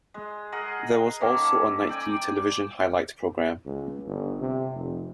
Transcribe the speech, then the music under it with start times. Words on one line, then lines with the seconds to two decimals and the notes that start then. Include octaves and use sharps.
There was also a nightly television highlight programme.
0.14 G#3
0.52 G#4 A#4 D#5 F#5
1.21 D#3 A#3 C#4 A4
1.89 D5 G5 G#5
3.66 C#2
4.06 G1
4.40 C3
4.74 F1